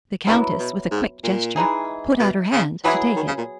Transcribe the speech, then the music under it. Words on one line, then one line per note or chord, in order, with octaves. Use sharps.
The Countess, with a quick gesture, put out her hand to take it.
C#3 F#3 B3 E4
B2
G#2
A#2
E3 G#3 D#4 G#4
B2
C#3
E3 F#3 B3 E4 G#4
D#3
C#3
A#2